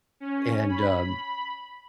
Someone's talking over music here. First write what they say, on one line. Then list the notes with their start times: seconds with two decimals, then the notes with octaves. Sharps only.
and, um,
0.20 C#4
0.69 B5